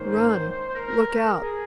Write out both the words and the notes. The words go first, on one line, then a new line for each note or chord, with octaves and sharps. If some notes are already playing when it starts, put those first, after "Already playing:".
Run! Look out!
Already playing: G#2 D#3 A#3 C#4 C5
C5
A#4
A#4
G#4